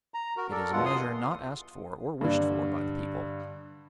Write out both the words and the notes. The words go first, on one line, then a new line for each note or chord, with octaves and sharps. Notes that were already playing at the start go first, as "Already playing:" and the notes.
It is a measure not asked for or wished for by the people.
A#5
F#4 A#4
A4 A#4 D5
E2 G2 B2 F4 F#5
C6 D#6
G2 D3